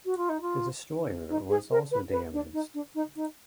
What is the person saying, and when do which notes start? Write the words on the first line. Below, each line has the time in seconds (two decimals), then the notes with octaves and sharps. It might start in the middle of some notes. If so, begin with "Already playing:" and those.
The destroyer was also damaged.
0.05 F#4
0.17 F4
0.29 D#4
0.41 F4
1.29 D#4
1.49 G#4
1.70 A#4
1.91 B4
2.11 B4
2.32 D4
2.53 D#4
2.73 D4
2.94 D#4
3.15 D#4